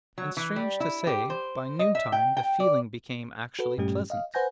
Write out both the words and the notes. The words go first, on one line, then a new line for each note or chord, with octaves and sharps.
And strange to say, by noontime the feeling became actually pleasant.
F#3
E3
G3
E4
G4
C5
D#5
E5
G5
G5
D5
F#4 A4 B4
G2 A#2 G3 A3 C#4 G4
D#5 F5
B4 C5 F#5 G#5 G6 A#6